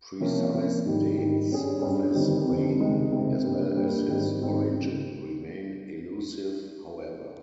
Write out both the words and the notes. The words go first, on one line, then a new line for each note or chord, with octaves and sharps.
Precise dates of his reign, as well as his origin, remain elusive however.
C3 F3 A#3 C#4
C3 F3 A#3 C#4
G#2 D#3 G3
G#2 D#3 G3
G2 G3 C#4 G#4
G2 G3 C#4 G#4
G1 F2 D#3 G3 C4
G1 F2 D#3 G3 C4
C#2 C3 D#3 G#3 C4
C#2 C3 D#3 G#3 C4
G2 G3 A#3
G2 G3 A#3
G#2 D#3 G3 C4
G#2 D#3 G3 C4
C#3